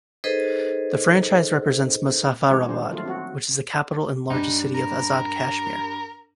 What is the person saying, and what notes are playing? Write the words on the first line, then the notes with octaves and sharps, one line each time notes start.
The franchise represents Muzaffarabad which is capital and largest city of Azad Kashmir.
D#4 G#4 A4 B4 C5 D#5
E3 G#3 D#4 F#4 G4 C#5
D#3 F3 G3 B3 D4 C5
F3 F#3 A3 A#3 F4
F3 C4 F#4
G2 D4 D#4
A#4